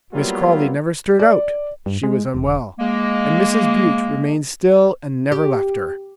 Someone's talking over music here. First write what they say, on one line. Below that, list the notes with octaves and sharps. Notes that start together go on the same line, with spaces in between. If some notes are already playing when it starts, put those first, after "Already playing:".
Miss Crawley never stirred out--she was unwell--and Mrs. Bute remained still and never left her.
F#3 G3 A#3 B3 E4 F4
D5
G2
G#3
E1
G#3 A#3
G4